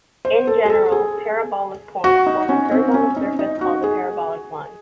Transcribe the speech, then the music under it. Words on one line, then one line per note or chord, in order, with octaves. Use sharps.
In general, parabolic points form a curve on the surface called the "parabolic line".
C5
A4
G#4
A4
G#4
F#4
D#4
C#4
C4
C#4
D#4
D#4
F#4
G#4